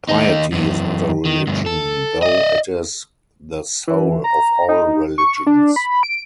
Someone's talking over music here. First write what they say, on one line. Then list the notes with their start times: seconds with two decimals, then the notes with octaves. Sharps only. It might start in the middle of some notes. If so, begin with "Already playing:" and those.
Piety is not a religion, though it is the soul of all religions.
0.09 D#2 D#4
0.52 F#2 E3
1.25 D#3
1.47 D2 G2
1.66 A4
2.22 D5 D#5
3.87 E3
4.24 A#5
4.69 D#4
5.18 C#6
5.47 D4
5.76 B5
6.03 D7